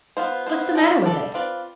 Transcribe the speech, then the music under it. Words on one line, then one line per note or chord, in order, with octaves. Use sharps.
What's the matter with it?'
B3 F4 C5
B3 F4 C5
G3 D4 A4 D5
G3 D4 A4 D5
C4 F4 B4 D5